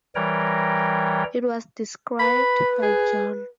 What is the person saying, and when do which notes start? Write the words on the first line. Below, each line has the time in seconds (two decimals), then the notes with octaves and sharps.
It was described by John.
0.15 E3 G3 A#4 C#5 G5 A#5
2.19 B4 B5
2.82 G#4